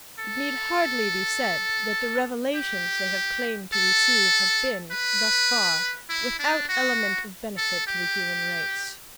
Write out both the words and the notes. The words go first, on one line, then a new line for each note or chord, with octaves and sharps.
It need hardly be said that the revelations they have claimed to receive have been, thus far, without element of benefit to the human race.
A4
G4
A4
B4
E4
D4
F#4
A4
G4